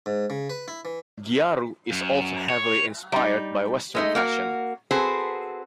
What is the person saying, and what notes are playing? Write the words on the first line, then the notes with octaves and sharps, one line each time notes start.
"Gyaru" is also heavily inspired by Western fashion.
G#2
C#3
B4
E4
E3
F#2
C#5
G3 D#4
G#3 A3 D#4
A#3 F#4 A#4
C4 F#4 G#4 A4 B4 C5